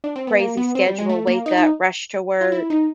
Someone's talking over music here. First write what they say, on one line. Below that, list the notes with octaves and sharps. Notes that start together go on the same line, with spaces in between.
crazy schedule, wake up, rush to work,
D4
C4
B3
A#3
B3
C4
G3
G#3
A3
A#3
D#4
D#4
F4
E4
D#4